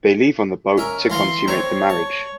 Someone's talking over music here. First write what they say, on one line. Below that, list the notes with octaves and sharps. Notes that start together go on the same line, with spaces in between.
They leave on the boat to consummate the marriage.
C#4 A#4 E5
E3 F5 A#5 C6
C4 C#5 A#5
A5